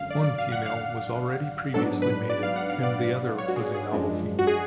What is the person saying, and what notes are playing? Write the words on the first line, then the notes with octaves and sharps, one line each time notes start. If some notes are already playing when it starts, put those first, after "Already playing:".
One female was already previously mated and the other was a novel female.
Already playing: G#1 F#2 D3 F#3 F5
D5
D5
F5
F#5
F5
G#2 F#3 B3 D4 A4
B4
D5
F5
F#5
F5
D5
C#5
F#4
G#4
G#4
F#2 F3 G#3 D4
F#4
G#4